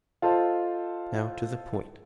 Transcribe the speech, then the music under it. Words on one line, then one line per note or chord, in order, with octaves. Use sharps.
Now, to the point.
F4 A4 C5 D#5 F5 A5